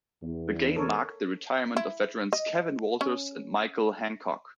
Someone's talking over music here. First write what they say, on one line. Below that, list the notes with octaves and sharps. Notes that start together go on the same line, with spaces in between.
The game marked the retirement of veterans Kevin Walters and Michael Hancock.
E2
A4 A#4 C#5
E4
D#5
C#4